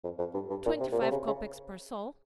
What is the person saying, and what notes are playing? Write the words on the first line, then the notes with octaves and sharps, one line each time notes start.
"Twenty-five kopecks per soul."
F2
F2
G2
G2
A#2
C3
A#2
C3
C#3
C#3